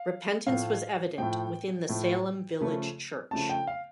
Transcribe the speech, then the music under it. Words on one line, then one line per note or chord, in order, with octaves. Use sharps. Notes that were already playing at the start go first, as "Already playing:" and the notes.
Repentance was evident within the Salem Village church.
Already playing: F5
A2 F3 A3 F5
A2 F3 A3 G5
A2 F3 A3
C#3 F3 A3 C#4
C#3 F3 A3 C#4 A5
G5
F5